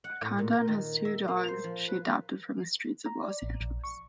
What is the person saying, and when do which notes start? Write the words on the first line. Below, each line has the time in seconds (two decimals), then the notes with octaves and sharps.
Condon has two dogs she adopted from the streets of Los Angeles.
0.04 F#5
0.22 A2
0.38 A#2
0.53 A#4
0.68 D#3
1.05 E5
1.28 A#3
1.48 C5
1.64 F3
1.88 B4
3.06 A#5
3.23 D5
3.42 A1
3.61 A#1
3.84 C#6